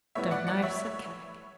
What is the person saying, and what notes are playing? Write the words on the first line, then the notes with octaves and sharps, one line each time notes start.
"Don't know," said Kadok.
A2 G3 B3 E4 C#5 E5
D5 F#5
D5 F#5
C#5 E5